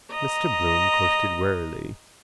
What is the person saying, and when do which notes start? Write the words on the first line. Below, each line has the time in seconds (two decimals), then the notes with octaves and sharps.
Mr Bloom coasted warily.
0.11 D#5 A#5